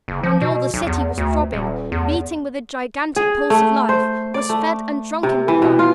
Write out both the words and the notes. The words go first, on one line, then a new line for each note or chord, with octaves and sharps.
And all the City was throbbing, beating with a gigantic pulse of life--was fed and drunken with life.
F#1
F3
B2
B1
E2
D2
D#1
E2
G#4
A3
C5
D5
A3
C3
E3
B2
F4